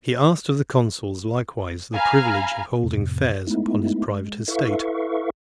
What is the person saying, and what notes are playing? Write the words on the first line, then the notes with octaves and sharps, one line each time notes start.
He asked of the consuls likewise the privilege of holding fairs upon his private estate.
F5 G#5 A#5 B5 F6
F2 A2 C3
G#3 A3 B3 D#4 E4
G#3
E4 A4 B4 E5 F5 C#6